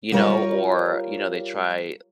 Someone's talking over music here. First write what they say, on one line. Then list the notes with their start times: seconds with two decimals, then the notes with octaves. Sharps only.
you know or, you know, they try,
0.12 G3 F4 A#4 C#5